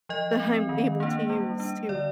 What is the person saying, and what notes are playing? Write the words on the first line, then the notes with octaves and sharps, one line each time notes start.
that I'm able to use to
F3 D#5
C4
D#3
A#3 D4
G3
D4
D3 D5